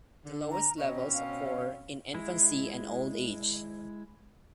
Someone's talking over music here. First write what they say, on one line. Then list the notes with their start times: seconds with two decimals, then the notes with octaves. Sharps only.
The lowest levels occur in infancy and old age.
0.24 D3
0.51 A#5
0.78 B2 C4 C#4 D#5
1.14 F5
2.14 G#3 E4